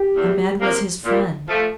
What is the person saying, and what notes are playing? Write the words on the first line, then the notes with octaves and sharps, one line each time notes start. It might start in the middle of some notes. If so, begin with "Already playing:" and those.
Ahmed was his friend.
Already playing: G4
E2
C3 F3 A#3
A#2
F3 A3